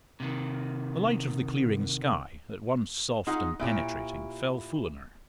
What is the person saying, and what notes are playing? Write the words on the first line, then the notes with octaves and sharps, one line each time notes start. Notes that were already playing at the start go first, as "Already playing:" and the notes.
The light of the clearing sky, at once soft and penetrating, fell full on her.
C3 D#3
D#4 F4 G#4 F#5
A#2 E4 G4 C#5